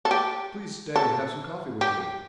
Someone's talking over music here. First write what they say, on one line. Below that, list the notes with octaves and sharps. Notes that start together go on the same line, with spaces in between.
"Please stay and have some coffee with me."
A4
G4
A4
G4